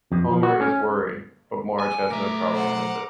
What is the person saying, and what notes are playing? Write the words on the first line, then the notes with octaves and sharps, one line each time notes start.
Homer is worried, but Marge has no problem with it.
F2
F3
F#4
C#4
G#5
B1 A3 E5 A#5 D6
C5 F#5